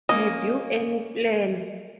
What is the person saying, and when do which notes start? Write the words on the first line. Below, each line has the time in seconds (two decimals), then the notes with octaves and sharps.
Had you any plan?
0.09 A#3 C#4 D#5